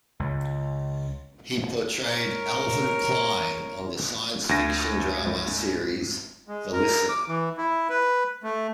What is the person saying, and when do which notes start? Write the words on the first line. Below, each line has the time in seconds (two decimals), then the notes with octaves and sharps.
He portrayed Alvin Klein on the science fiction drama series "The Listener".
0.20 C#2
2.05 A#4 C#5
4.49 D2 A#6
5.21 G#2
6.48 G#3
6.73 A#4
7.09 D6
7.28 E3
7.58 E4
7.90 B4
8.43 A3